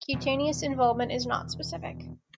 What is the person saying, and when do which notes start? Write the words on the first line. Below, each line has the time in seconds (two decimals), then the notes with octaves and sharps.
Cutaneous involvement is not specific.
0.13 E2 B2 D#3 F#3